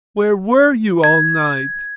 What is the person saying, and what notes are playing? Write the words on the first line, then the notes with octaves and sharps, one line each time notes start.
"Where were you all night?"
G#6